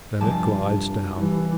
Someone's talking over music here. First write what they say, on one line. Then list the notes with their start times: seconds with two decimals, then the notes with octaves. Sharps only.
Then it glides down.
0.21 F1 G2 G3 A5
1.17 E3 G3